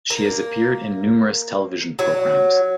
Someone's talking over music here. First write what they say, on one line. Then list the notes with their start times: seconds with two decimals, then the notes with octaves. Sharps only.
She has appeared in numerous television programs.
0.10 A#3
1.99 F#3